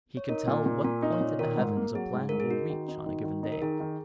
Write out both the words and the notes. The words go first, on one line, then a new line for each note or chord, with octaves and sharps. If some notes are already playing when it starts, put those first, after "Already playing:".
He can tell what point in the heavens a planet will reach on a given day.
C#5
D#4 A#4
A#2
A#2
A#2 A#4
D#4
C#5
A#2
D#3 A#4
G#2
A#3
F#3 G#4
G#2
G#2 A#4
G#4
D#4 F#4
D#3
D#4
D#3
D#3
D#4
A#4
D#3 G#4
D#3